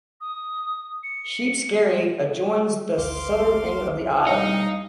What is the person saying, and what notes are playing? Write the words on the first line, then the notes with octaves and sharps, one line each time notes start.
Sheep Skerry adjoins the southern end of the island.
D#6
C#7
G#1 D2 F5 C6 D6
G3 D#4 D#5 F5 C#7